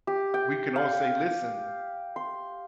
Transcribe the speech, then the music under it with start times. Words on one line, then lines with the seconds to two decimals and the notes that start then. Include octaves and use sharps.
we can all say, listen,
0.07 G4
0.34 G5
0.76 F5
2.16 C6